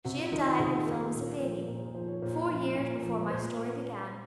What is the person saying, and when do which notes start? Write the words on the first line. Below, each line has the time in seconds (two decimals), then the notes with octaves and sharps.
She had died when Phil was a baby, four years before my story began.
0.05 C3 F#4
0.18 F4
0.32 D#3 D#4
0.45 F4
0.59 C3 G#4
0.87 D#3 A#4
1.14 A#2
1.40 F3 C5
1.67 A#2 A#4
1.81 G#4
1.95 F3 C5
2.08 C#5
2.22 A#2 C5
2.49 F3
2.76 A#2
3.03 F3
3.30 A#2 C5